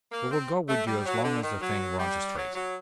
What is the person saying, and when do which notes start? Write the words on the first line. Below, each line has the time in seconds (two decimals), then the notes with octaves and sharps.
We will go with you as long as the thing runs straight.
0.12 A#3
0.31 C4
0.68 A3
0.87 G3
1.06 F#3
1.24 D3
1.43 D#3
1.61 F#3
1.99 G3
2.37 F#3
2.55 F#3